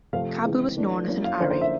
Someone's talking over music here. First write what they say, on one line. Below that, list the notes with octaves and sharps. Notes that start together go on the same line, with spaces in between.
Cabel was also known as Ary.
C3 F3 A3 C4 F5
C#3 E3 G#3 C4
E3 A3 D4
F#3 A#3 C#4 E4
F5
D3 F3 A#3 C#4 E4 C5
C5
E5